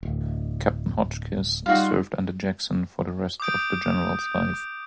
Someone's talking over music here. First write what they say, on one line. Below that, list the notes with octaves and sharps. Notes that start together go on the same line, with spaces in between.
Captain Hotchkiss served under Jackson for the rest of the general's life.
D1
G3 D#4 F4 F#4
D6 D#6 G6 D7